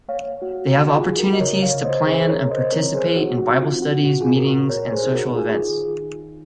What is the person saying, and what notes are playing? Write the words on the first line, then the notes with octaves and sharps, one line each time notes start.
They have opportunities to plan and participate in bible studies, meetings, and social events.
A#3 C#5 F5
A#3 F#4
A#3 F#4
F4 G#4
D#4
F#4 A#4
D#5
C#3 A#4 C#5
C#5 F5
C#3
C5 D#5
C#4 G#4 C5
A#4 C#5
C#3
C5 D#5
C4 A#4 C#5
G#4 C5
F3
F#4
D#4 F#4
F4
C4
F#4
A#2 F#4
F4 G#4
A#2 F#4 A#4
A#2 A#4 C#5
G#4 C5
D#4
F#4 A#4
D#4 F4 G#4
D#3
D#4